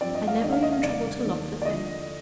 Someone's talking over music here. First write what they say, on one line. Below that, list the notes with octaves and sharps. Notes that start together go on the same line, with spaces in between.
I never even trouble to lock the thing.
G2 F3 C4 D5
D#5
F5
D#2 D#3 A#3 D4 D#5
F5
D#5
F5
C3 D#3 G3 D5
D#2 D#3 A#3
D5
D3 F3 D#5